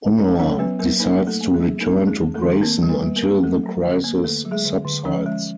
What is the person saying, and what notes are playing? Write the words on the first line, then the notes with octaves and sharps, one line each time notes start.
Honor decides to return to Grayson until the crisis subsides.
C#4 D#4 C#5
F#3 C#4 C#5
F#3 B3 B4
F#3 A#3 A#4
A#3 D#4 A#4
F#3
A3 A4
A#3
G#3 G#4
F#3
A#3 D#4 A#4
D#4
G#3 G#4
C4
A3 A4
D#3
A#3 C4 A#4
G3
B3 B4
G3
A#3 A#4
G3
F#3 A3 A4
F#3
D3
A#3
D3 A3 A4
F#3
G#3 G#4
D3
D3
F3 C#4 C#5
G#3